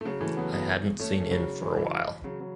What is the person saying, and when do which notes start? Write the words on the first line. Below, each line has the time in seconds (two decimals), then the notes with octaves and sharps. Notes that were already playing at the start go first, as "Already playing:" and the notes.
I hadn’t seen in for a while.
0.01 A3
0.05 C#3 F#3
0.21 E3 A3
0.37 F#3 B3
0.52 F#3 B3
1.00 A3 C#4
1.30 C#3 F#3
1.62 E3
1.77 E3
2.24 C#3 F#3
2.40 C#3 F#3